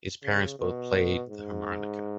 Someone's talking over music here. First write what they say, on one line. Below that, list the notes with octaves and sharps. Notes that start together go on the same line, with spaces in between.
His parents both played the harmonica.
C#3
B2
G#2